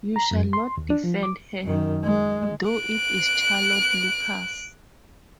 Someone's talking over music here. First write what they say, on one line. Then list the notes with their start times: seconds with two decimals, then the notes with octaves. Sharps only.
You shall not defend her, though it is Charlotte Lucas.
0.16 A#5
0.31 F#2
0.53 C6
0.77 D#2
0.90 D4
1.04 F3
1.23 D6
1.63 F#2 D#3
2.04 G#3
2.70 F#6 D7